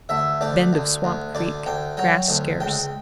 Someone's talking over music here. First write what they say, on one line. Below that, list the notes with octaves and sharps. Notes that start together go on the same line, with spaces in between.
Bend of Swamp Creek.--Grass scarce.
D2 E5
D2 D5
D2
D2
D2 D5
D2 G5
F#3 G5
D2
C#2 G5